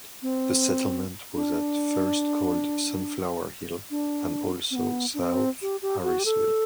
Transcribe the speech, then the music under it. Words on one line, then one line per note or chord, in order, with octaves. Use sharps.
The settlement was at first called "Sunflower Hill" and also as "South Harrisville".
C4
D4
D4
C4
B3
D4
C4
G4
G4
F#4
G4
A4